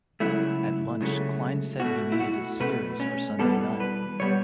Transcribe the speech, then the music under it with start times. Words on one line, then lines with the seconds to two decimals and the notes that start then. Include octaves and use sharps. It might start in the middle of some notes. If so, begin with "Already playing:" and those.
At lunch Klein said he needed a series for Sunday night.
0.20 C#2 C#3 F#3 A3 E4
1.01 C#2 C#3 F#3 A3
1.80 B2 A3 F#4
2.12 E4
2.20 F#4
2.60 B2 A3 B4
3.00 C#4
3.39 E2 B2 G3 B3 A4
3.80 B4
4.20 B2 G3 B3 C#5